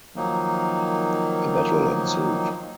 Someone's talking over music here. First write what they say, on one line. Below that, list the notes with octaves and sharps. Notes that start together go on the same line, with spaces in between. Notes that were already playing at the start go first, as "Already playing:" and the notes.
A battle ensued.
D#3 F3 F#3 A#3 D#4